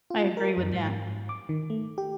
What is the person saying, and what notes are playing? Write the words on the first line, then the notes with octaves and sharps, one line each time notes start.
I agree with that.
F4
A#4
F#2
G#2
D6
D#3
A3
G4